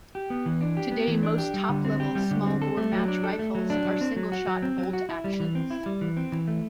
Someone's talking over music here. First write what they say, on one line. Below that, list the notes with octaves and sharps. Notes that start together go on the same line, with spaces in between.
Today most top-level smallbore match rifles are single-shot bolt actions.
G4
B3
E3
D4
G4
B3
E3
D4
G4
G3
D3
C4
G4
G3
D3
C4
A4
A3
F#3
D4
A4
A3
F#3
D4
F#3
C4
F#3
F#4
F#3
C4
F#3
F#4
E4
G3
E3
C4
E4
G3
E3
C4
E3
A3